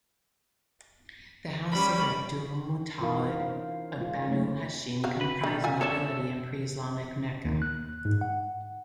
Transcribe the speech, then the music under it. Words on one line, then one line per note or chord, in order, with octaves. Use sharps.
The House of Abdul-Muttalib of Banu Hashim comprised nobility in pre-Islamic Mecca.
G3 C#4 B5
E3 D#4 F4 A#4 F5
C#4 C5 F5
G#3 F4
F#3 A3 A#3 D#4 C#5
C4 F#4 F5
B4
B2 G3 D4
F4 F#4 G#5
C#4 A4 C#5 D5 E5
D#2
F#6
G#2
F#5